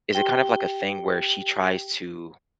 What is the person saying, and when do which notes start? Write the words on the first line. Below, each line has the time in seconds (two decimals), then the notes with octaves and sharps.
Is it kind of like a thing where she tries to
0.12 G4 G5 G7